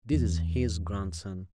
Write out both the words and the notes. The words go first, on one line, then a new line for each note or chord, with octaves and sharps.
This is his grandson.
E2